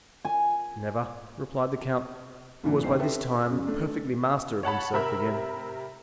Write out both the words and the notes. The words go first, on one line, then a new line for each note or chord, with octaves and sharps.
"Never," replied the count, who was by this time perfectly master of himself again.
G#5
C#2 F#2 A#2 E3
A1 E2 D#3 G3 C5 C7
C4 G4 A4 B4 E5
F#2 C#3
A3 D4
C#5 F#5 A5 B5
C3 A#4 E5 B5 E6